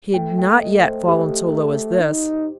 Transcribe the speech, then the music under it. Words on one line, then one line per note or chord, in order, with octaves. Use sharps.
He had not yet fallen so low as this.
A3 G5
G5
D#5
C5
G4
D#4